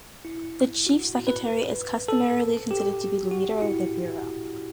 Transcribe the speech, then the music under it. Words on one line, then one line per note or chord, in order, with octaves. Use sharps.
The Chief Secretary is customarily considered to be the leader of the bureaux.
E4
F#4
B4
A4
G4
F#4
E4